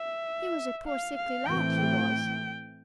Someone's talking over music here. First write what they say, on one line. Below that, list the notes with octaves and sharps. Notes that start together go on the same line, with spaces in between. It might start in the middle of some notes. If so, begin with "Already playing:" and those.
He was a poor sickly lad, he was!
Already playing: E5
F5
F5
A2 E3 A3 C4 G5